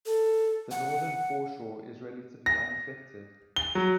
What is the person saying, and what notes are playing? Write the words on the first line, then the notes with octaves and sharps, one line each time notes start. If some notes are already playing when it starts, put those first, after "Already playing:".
The northern foreshore is relatively unaffected.
A4
F#5
A#6
G7
F#3